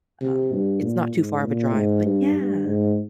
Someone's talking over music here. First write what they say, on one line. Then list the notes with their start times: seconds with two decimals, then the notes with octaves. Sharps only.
um, it's not too far of a drive but yeah.
0.21 C3
0.52 G2
0.82 A#2
1.13 G#2
1.44 A#2
1.74 G#2
2.04 G2
2.36 G2
2.66 G#2